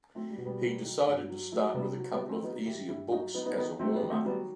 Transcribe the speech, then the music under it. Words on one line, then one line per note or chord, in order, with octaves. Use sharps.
He decided to start with a couple of easier books as a warm-up.
F#3 A3 C4
G3
B2
G3 B3
F#3
D#3
G2
F#3
F#3 A3
C3 G3 B3
F#3
G3 B3
D#3
A3 C4
F#3 B3 D#4
D#3 E4 G4
G2 E4 G4
F#3 D#4 F#4
F#3 B3 D#4
B3 D#4
D#3 B3 D#4
F#3 A3 C4
G3 B3
D#3
A3 C4
F#3 G3 B3